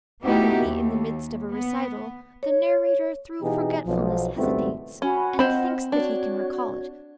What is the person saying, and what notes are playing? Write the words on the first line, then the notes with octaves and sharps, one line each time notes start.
Frequently, in the midst of a recital, the narrator, through forgetfulness, hesitates, and thinks that he can recall it.
A3 B3 D#4 E4 F#4 G4
D#2
B3
C#5
B2 E3 B3 D#4 G4 G#4
B1 F3
G#1 C#2 G3 A3 B3 C4
C#4 F#4 G#5 B5
C4 F4 C5 D#5 F#5 B5
D4 F#4 C#5